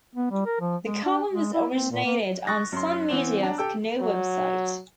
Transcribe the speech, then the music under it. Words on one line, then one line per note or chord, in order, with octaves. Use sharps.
The column was originated on Sun Media's Canoe website.
B3
G3
A#4
F3
G#3
D4
G#3
E4
C4
A#2
A#3
C#6 D#6 F#6 A6 A#6
F#2 C6
E3 B3 C4
D4 A#5
G4 A4 G5 E6
F#3